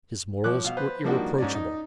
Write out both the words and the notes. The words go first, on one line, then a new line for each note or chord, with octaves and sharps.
His morals were irreproachable.
F3 C#5 D6 F#6
B2 F5
B4 C5
F3 G3 A#3 D4 D#4 F#4
G#2 C#4 D5
D#4